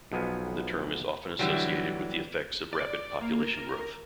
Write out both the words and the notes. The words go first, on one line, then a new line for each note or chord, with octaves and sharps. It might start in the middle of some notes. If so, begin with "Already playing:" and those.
The term is often associated with the effects of rapid population growth.
B1 F3 B3 G#5
A2 D3 E3 F#3 G3
D5
A#3
A#4